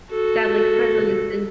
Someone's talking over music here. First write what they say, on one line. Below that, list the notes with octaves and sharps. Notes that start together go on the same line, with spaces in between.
deadly prison is in
F#4 A4